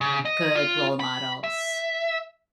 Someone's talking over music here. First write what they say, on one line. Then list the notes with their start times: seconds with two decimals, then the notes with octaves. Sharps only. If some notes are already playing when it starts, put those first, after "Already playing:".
good role models.
0.01 C#3
0.25 D#5
0.55 F4
1.00 B5
1.44 E5